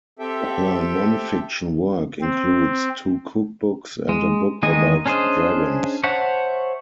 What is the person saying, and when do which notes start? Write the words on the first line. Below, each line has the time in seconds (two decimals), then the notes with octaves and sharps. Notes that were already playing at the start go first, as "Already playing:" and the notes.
Her nonfiction work includes two cookbooks and a book about dragons.
0.19 C4 G4 A4 E5 G5
2.21 C4
4.09 G#3
4.63 D#3 G#3 A#3 D#5 G#5
5.06 C#4 D4 G#4 C5 D#5
6.03 C5 C#5 E5 F#5 A5